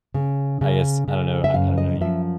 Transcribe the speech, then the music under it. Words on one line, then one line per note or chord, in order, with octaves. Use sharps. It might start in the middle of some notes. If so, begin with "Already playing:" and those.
I guess, I don't know I I don't know, you
C#3
C#3
C#3
E5
F#2 F5
D#5
F3 E5